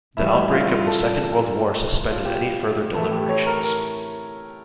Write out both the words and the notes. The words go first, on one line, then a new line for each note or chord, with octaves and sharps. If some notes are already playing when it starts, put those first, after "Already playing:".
The outbreak of the Second World War suspended any further deliberations.
A2 E3 G3 E5
E5
F4
F4
A4
F4
G4
A2 E3 A3 A4
G4
C#5
A#4
A#4